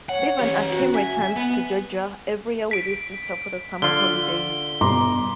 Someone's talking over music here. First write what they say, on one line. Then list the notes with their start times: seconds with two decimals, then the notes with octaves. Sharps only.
Levan Akin returns to Georgia every year with his sister for the summer holidays.
0.09 C#5 F#5
0.39 C#4 G4
0.70 F#4
0.94 E5 G#5
1.37 B3
2.71 B6 D7
3.82 D3 F4 G7
4.81 G2 B2 A#5 C6 D6